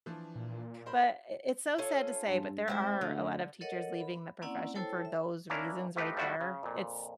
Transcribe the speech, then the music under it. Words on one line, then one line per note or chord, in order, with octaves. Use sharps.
but it it's so sad to say, but there are a lot of teachers leaving the profession for those reasons right there, it's,
E3 F3 D4
A#2
A#4 C5 B5
C#4 F4 A4
G2
G#3 C4 E4 C5
D2 D3
A4 A#4 C#5 D#5 F#5
B5
A#3 C4 C#4 E4 D5 F#5
E4 A4 C5 C#5 G5 A5
E5
A#3 C#4 D4 E4 A#4
F3 A3 D#4 G4 B4
F3 G3 A3 D4 E4 F#4
C#3
F2 A#2